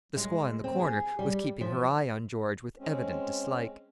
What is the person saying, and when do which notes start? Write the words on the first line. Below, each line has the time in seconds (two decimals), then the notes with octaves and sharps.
The squaw in the corner was keeping her eye on George with evident dislike.
0.17 G#3
0.64 C4
0.80 G#4
1.19 G3
1.61 F3
2.79 G#3 C4 C#4